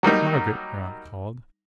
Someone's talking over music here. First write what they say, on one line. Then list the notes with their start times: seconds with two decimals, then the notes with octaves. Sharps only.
"Margaret!" her aunt called.
0.03 F#3 G3 A#3 D#4